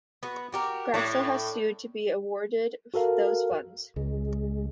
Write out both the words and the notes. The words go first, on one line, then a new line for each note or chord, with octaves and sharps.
Grasso has sued to be awarded those funds.
B3 F#4
F#4 G4 A#4
A2 D4 C#5
F#4 A4 A#4 F5
C#2 G#3